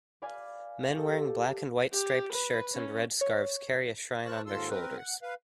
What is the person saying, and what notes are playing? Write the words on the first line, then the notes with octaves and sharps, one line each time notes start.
Men wearing black and white striped shirts and red scarves carry a shrine on their shoulders.
B4 D5 F5 G#5
G4 A4
G4
B4
C#4
C#5
A#4 C5 A5 C#6 F#6
D#2 G#2 F4 A4 C6 E6
C4 A#4 B4
F#5
B4 F5